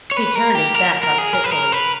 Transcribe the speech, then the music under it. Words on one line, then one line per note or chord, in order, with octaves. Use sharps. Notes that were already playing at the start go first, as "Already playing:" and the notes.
He turned his back on Cecily.
C#5
B4
A#4
G4
A#4
A#4
G#4
A#4
B4
A#4
B4